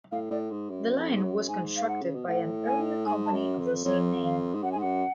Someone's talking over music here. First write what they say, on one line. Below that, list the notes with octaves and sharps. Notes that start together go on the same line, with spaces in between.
The line was constructed by an earlier company of the same name.
A2 F5
A2 D5
G#2
F#2
F2
G#2
F#2
G#2 G#5
F5
F#5
C#3
B2
A2 F#5
G#5
G#2 G#5
A5
F#2
F2
B4
F2 C#5
F5
G#2
F#2 F#5
G#5
G#2
F#2 F#5